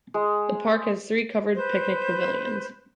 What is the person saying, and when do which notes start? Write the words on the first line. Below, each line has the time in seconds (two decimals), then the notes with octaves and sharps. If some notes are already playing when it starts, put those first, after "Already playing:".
The park has three covered picnic pavilions.
0.14 G#3
1.56 B4 C5 G6